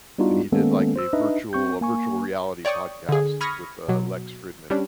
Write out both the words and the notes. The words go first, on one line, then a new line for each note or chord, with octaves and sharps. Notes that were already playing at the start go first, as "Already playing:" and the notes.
and he did, like, a virtual a virtual reality podcast with, uh, Lex Fridman.
G3 B3 D4 D#4 F4 F#4
D#3 G#3 A#3 B3 C#4 A4
C5 E6
D4 D#4 B4 D#5 E5
C4 C#6 G6
A#3 G#5 C#6
C#5 D5 G5 C#6 D#6
D3 G#4
B5 C#6 D#6 F6 G#6 A#6
B2 F#3
G3 C#4 D4